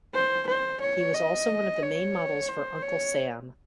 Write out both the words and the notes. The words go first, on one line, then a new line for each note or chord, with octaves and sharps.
He was also one of the main models for "Uncle Sam".
C5
C5
C#5
D#5
C#5
C5
C#5